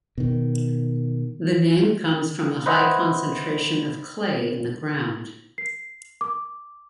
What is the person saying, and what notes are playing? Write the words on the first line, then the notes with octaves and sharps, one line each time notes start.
The name comes from the high concentration of clay in the ground.
B2 D#3
B4 C5 D#5 E5 F#5 G#5
C7
D6